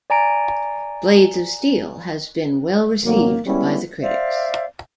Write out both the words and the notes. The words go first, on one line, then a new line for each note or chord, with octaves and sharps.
Blades of Steel has been well received by critics.
D5 G#5 A#5 D7
G#1 F#3 A#3
G3 G#3 B3 C#4 E4
C5 D5 E5 F5